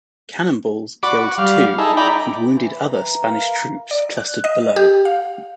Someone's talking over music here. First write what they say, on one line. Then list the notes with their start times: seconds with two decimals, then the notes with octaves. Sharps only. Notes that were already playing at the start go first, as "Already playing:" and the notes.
Cannonballs killed two and wounded other Spanish troops clustered below.
1.03 F#4 D5 B5 D6
1.19 F#4
1.38 G3 F5
1.78 D#4 E4 G#4 A4
1.97 D#4 E4 D5 G5 A#5 B5
2.57 E3
2.88 A#5
3.28 A#4 F5
3.91 D5
4.17 F#6
4.44 D#5
4.76 G4
5.05 F5